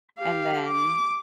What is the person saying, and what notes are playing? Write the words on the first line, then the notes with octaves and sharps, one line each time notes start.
And then
G4 F5
D6